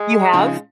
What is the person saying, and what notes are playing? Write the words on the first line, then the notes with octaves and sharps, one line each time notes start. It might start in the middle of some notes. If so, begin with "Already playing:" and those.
You have?
Already playing: G#3
C#3 F3 C4 D#4